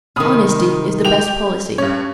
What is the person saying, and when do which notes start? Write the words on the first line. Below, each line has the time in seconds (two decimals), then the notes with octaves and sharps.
Honesty is the Best Policy.
0.16 C3 D#3 B5 D#6 F6
1.05 G4 G5 F7
1.78 G2 C#4 C#5